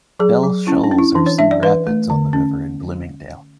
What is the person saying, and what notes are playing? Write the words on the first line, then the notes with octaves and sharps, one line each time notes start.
Bell Shoals are some rapids on the river in Bloomingdale.
F#3 G#4
F#3
C#4 E4
D4
C#4
E4
E3 D4
C#5
D4 E5
D5
E3 B4
A3
D3
C#4